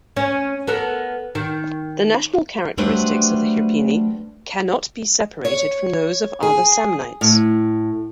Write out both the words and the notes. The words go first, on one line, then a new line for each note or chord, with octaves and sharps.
The national characteristics of the Hirpini cannot be separated from those of other Samnites.
C#4
B3 A4 A#4
D#3
F#3 G3 A3 D4 B4 C5
C#5
G#4
A2